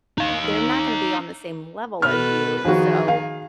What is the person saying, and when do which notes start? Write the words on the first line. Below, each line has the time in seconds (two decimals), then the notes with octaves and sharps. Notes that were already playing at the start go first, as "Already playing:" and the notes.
they're not gonna be on the same level as you, so,
0.18 D#4 F5
2.02 B2 A4 B4 F6
2.65 D#3 F3 F#4 G#4
3.08 F5